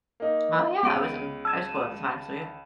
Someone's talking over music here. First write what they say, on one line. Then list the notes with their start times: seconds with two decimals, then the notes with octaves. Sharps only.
Oh yeah, I was in high school at the time so, yeah.
0.20 A#3 D#4
0.83 C#2 B3 D7 D#7
1.45 A5 E6 G#6 D#7 E7